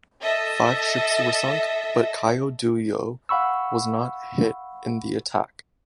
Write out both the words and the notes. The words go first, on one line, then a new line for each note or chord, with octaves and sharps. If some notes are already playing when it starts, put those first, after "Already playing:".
Five ships were sunk, but "Caio Duilio" was not hit in the attack.
A4 D#5 E5
F5 F#5 B5 C#6 E6